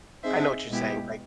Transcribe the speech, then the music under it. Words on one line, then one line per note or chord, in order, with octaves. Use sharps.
I know what you're saying, like
C4 D#4 G#4 C5 E5
B2 G#3 B3 E4 G4